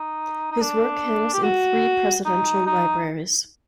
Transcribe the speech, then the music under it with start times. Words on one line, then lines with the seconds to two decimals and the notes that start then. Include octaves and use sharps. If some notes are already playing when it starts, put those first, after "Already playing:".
His work hangs in three presidential libraries.
Already playing: D#4
0.51 D#4
0.61 D4
1.34 G4
1.43 F#4
2.25 D#4
2.67 D#4